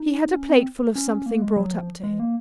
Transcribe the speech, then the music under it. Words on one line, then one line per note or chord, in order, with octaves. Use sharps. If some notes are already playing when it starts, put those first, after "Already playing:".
He had a plateful of something brought up to him.
Already playing: D#4
C#4
C4
C#4
A#3
G#3
F#3
F3
G#3
A#3